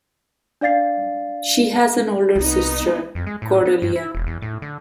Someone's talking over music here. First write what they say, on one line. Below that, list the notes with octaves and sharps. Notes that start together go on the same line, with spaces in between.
She has an older sister, Cordelia.
D4 D5 F5 A6 C7
C2 B3 D#4
F2
G#3
A2
B3
G2
E4
E1
E2
A2
D3